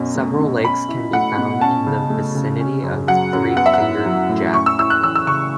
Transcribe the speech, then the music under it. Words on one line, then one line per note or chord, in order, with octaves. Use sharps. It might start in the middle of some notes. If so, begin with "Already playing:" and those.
Several lakes can be found in the vicinity of Three Fingered Jack.
Already playing: F#2 B2 C#4
A3
B2
C#4 B5
E4
A3 F#5
B2
C#4 A5
C#3
A3
C#3
C#4
F#2
F#3 F#5
F#2
B3 F#5
E5
F#5
E4
F#3
A2
C#4 C#6
E6
E4 E6
F#6
E3 E6
E6
C#3 C#6